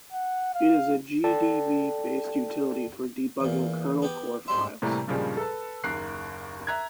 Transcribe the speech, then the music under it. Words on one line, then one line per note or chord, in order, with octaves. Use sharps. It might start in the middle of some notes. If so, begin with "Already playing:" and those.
It is a gdb based utility for debugging kernel core files.
F#5
F5
A4 D5 G5 A5
E2 A#2
B3 G4
G#2 G3 E5 C6
A2 C3 E3 G3 A3 A#3
G2 A#2 C#3 F3 G3 G#3
A4 B4 A5
F#1 D#2 A#4 F#6 C7
E5 A#5 F#6 G#6